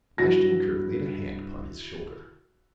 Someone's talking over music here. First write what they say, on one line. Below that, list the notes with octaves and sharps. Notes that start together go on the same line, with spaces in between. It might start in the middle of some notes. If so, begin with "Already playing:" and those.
Ashton-Kirk laid a hand upon his shoulder.
G2 E4 F#4 A#6